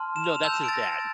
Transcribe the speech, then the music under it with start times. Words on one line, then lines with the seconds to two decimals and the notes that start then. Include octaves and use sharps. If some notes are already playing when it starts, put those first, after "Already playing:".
No, that's his dad.
Already playing: A5 C6 F6
0.16 E7
0.24 F7
0.34 E7
0.43 A5 E6 G6 F7
0.54 E7
0.63 D7
0.68 A6
0.73 A#6
0.83 A6